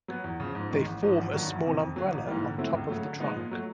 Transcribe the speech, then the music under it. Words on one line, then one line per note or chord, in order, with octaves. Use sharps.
They form a small "umbrella" on top of the trunk.
F#3 B3
E2
C#3 F3
G#2
D#3 G#3
A1
G#2 F3
G#1
G2 D#3 F#3
D2
C3 E3
F2
D3 F#3
A1
G#2 E3 G3 A#3
D3
F#3 A3 C4 E4
C#2
C#3 F#3 A3
D3
F3 G#3 B3 D#4
A#2
F#3 A3